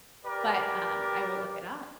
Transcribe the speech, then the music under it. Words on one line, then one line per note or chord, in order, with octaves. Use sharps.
But, um, I will look it up.
G4 A#4 B4 D5